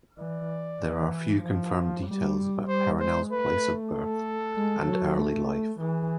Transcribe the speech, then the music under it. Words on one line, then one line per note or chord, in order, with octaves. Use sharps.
There are few confirmed details about Perenelle's place of birth and early life.
E3 D5
E3
F3
G3
G3 C5
G#3 C5
A3 B4
A4
G#3
F#3
A3
E3 G#4